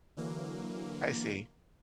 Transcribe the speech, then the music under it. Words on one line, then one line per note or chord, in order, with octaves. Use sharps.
I see.
D3 E3 F#3 A#3